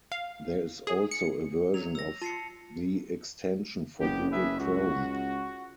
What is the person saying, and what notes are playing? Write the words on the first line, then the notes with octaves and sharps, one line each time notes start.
There is also a version of the extension for Google Chrome.
F5
G#4
C#7
F#3 F7
E6 A#6
F4 A5 C7 C#7
F#1 B3 G4
G#4 B4 E5
C#2 F#4